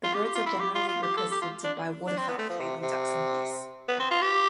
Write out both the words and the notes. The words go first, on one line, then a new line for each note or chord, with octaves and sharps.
The birds are generally represented by waterfowl, mainly ducks and geese.
F4
G4
G4
F4
E4
G4
F4
F4
G4
A4
G4
F4
D4
D4
C4
B3
A3
F3
C3
C3
B3
C4
F4
G4